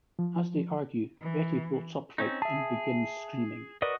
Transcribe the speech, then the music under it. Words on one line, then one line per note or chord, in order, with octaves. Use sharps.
As they argue, Betty bolts upright and begins screaming.
F3
E3
C4 C#4 D#4
G#4 E5 A5
F#4 A#4 B4 D5 D#5